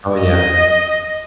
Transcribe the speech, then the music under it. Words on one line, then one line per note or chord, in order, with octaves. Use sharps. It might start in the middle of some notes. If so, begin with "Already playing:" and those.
Oh, yeah.
D#5